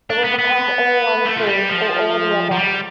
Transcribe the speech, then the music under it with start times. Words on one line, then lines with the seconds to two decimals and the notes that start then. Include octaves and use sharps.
It will become all one thing, or all the other.
0.10 D4
0.24 B3
0.38 B3
1.26 A3
1.37 F3
1.48 G3
1.69 F3
2.51 F3
2.57 G3